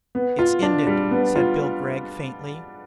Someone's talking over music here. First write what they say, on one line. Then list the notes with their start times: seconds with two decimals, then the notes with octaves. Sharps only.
"It's ended," said Bill Gregg faintly.
0.15 B3
0.39 F4
0.63 D4
0.87 G3
1.11 B3
1.36 F4